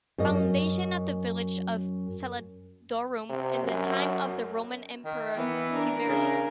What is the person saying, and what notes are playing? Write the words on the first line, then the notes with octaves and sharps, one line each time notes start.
Foundation of the village of "Salodurum" in the time of the roman emperor Tiberius.
F#2 D#5
C3
F#2
D#3
E3 B3
D4 A#4
C#3